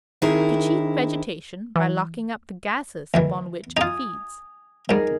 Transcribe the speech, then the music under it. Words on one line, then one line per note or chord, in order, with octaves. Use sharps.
To cheat vegetation by locking up the gases upon which it feeds.
D#3 C4 D4 E4 G#4 A#4
E3
D2 D#3 E3
D#4 F4 G#5 D#6
G#2 G3 D#4 G#4 A#4